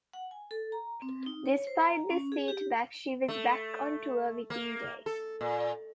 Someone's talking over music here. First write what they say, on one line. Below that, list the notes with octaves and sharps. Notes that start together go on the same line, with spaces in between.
Despite this setback, she was back on tour within days.
F#5
G#5
A4
A#5
C4
D#4
C#5
C5
A#5
C#4
G#4
G4
A3
A#3
A4
A#2